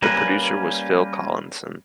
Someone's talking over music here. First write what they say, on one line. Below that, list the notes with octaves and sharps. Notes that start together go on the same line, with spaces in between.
The producer was Phil Collinson.
G3 A#3 C#4 B4